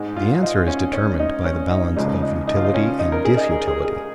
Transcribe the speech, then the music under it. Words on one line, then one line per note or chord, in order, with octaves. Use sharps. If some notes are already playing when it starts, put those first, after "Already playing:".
The answer is determined by the balance of utility and disutility.
Already playing: G#2 G#3
F4
D#4
C#4
C#4
D#4
C#4
D#4
C#2 C#3 F3 G#3 D#4
D#4
D#4
F4
D#4
C#4
D#4
A#4
G#4
D#4
G#4
G#4
G#4